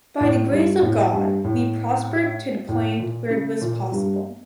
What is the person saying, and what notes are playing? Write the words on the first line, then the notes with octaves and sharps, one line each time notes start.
By the grace of God we prospered to the point where it was possible.
A2
G2
A2
G2
A2
A2
A#2
C#3
A#2
G2